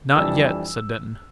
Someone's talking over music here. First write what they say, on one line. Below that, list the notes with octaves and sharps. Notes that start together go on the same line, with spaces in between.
"Not yet," said Denton.
F2 E3 G3 D4 E6